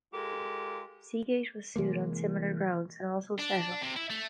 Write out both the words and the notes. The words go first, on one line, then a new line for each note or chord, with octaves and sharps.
Seagate was sued on similar grounds and also settled.
G#3 F4 G4 A4 A#4
C3 E3 G#3 A#3
D4
C3
E4
A3